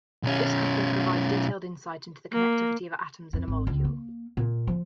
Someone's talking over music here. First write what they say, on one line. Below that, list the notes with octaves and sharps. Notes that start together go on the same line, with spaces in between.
This coupling provides detailed insight into the connectivity of atoms in a molecule.
B1 C#4
A#3
F2
G#1
C#2
A#3
A#2
F3